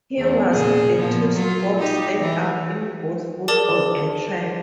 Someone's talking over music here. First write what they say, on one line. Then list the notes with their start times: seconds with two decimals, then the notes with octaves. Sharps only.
He was a two-sport standout in both football and track.
0.18 E2 A3
0.52 A#2 C#3 G#4
0.96 A#2 F3 B3
1.33 F#3 F4
1.79 D#4 G4
2.20 E3
3.48 G#4 A#4 D5 A5 D6